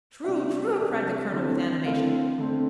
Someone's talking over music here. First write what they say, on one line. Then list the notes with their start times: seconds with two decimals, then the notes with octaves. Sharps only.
"True--true," cried the colonel, with animation.
0.24 C3 G3 D4 E5
0.78 C3 G3 D4
1.31 D3 A3 C4 E4
1.84 D3 A3 C4 E4 F5
2.38 D3 A3 C4